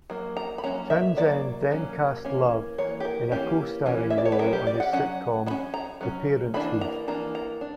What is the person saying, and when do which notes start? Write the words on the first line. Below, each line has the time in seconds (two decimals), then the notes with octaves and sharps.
Townsend then cast Love in a co-starring role on his sitcom "The Parent 'Hood".
0.10 F#3 A#3
0.37 A#5
0.58 B5
0.64 F#3 A#3 C#4 A#5
0.90 E5
1.17 F#3 A#3 D5
1.71 F#3 A#3 C#4
2.25 E3 A#3 C#4
2.78 E3 A#3 C#5
3.00 G4
3.05 A#4
3.32 E3 A#3 C#4 G4
3.86 E3 A#3 C#4
4.10 E5
4.18 D5
4.25 C#5
4.32 B4
4.39 F#3 C#4 A#4
4.53 G4
4.67 D5
4.80 F#5
4.93 F#3 C#4 F#5
5.46 F#3 C#4 B5
5.74 A#5
6.01 F#3 C#4
6.54 E3 A#3 D4 B5
6.81 A#5
7.08 E3 A#3 D4 A#5
7.35 A#5
7.61 D4